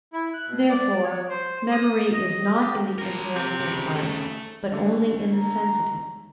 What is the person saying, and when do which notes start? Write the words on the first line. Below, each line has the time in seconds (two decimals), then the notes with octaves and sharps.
Therefore memory is not in the intellectual part, but only in the sensitive.
0.13 E4
0.34 F#6
0.47 B2
0.69 D5
1.04 C#5
1.30 C5
1.71 D#6
2.12 D#5
2.55 G4
2.98 F3 A#4
3.36 C3
3.60 D#2 C#3
3.95 A3
4.72 D3 A3
5.34 A#5